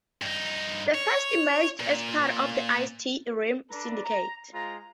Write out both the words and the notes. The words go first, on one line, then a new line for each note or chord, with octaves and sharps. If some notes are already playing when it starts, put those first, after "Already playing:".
He first emerged as part of Ice-T's Rhyme Syndicate.
G2 D#4
C#5
A#2
D4 A4 B4 D5 A#5
A#5
G#3 F4 C5 A#5